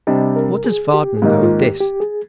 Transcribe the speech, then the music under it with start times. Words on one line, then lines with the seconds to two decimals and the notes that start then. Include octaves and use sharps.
What does Vardon know of this?
0.07 C3 G3 D4 D#5
0.36 A#4
0.64 G#4
0.94 G4
1.17 G#4
1.22 G#2 D#3 A#3 D#4 G4
1.42 F4
1.61 G4
1.80 G4
2.00 G#4